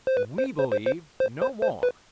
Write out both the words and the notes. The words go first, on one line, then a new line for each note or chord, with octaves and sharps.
We believe no more.
C5
B4
C5
C5
C5
C5
C5
C5
C5
B4